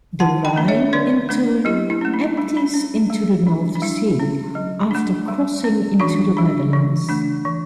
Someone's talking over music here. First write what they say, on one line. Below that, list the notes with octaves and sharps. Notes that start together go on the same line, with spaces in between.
The Rhine, in turn, empties into the North Sea after crossing into the Netherlands.
D3 F#5 A5
G5 B5
A3 D4
C#5 E5
D3 B4 D5
A3 D4
F#3 E4 G4
E4
A3 C#4
D4
G3 D4
D4
C#4
G3
D4
D4
G3 E4
C#4
F#3
A3 D4
G3
C#4
E3 D4 F#4
G3 D4
E3
A3 D4
E3